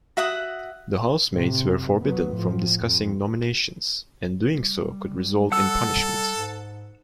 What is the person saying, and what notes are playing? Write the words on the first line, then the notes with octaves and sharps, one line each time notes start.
The housemates were forbidden from discussing nominations, and doing so could result in punishment.
F#4 E5 F#5 D#6
A2 C3
F#2
F#3 B3
A2 F3
F2
G3
A4 F#5 E6
G#2